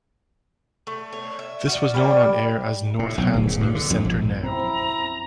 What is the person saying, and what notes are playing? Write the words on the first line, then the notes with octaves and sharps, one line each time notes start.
This was known on-air as Northand's NewsCenter Now.
A3
C#5
E5
C#4 F#4 D5
G3 A#3 D5 G5
A2
B1
D1
C#3
G2
D3
F2
A#1
F#2 C4 E4 A#5